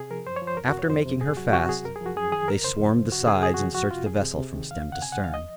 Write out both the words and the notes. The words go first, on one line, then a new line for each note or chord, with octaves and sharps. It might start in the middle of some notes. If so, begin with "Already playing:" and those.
After making her fast, they swarmed the sides and searched the vessel from stem to stern.
Already playing: C3 G#4
F3 A#4
F#2 C5
C#5
F3
C5
F2 A#4
F#4
C3 C#5
F2 C5
C3
G#2 G#4
F#3 F#4
C3 F#4
F#3 G#4
F#2 A#4
G#4
F3 F#4
F#2 G#4
D#3 G#4
F2 A#4
C#3 C5
F2
C#3
F#2 F#4
C#3 G#4
C3 G#4
F#4
F3
F2 F#4
C3 F4
F2 G#4
C3
C3
D#3
F#2 F5
C#3
F#5
C3 G#5
F#5
F3
F5
D#5